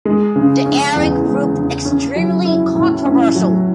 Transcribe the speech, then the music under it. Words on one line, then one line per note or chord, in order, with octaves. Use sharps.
The airing proved extremely controversial.
G#3
C#3
C#4
E2
G#3
C#3
C#4
F#3
E4
A2
C#4
F#3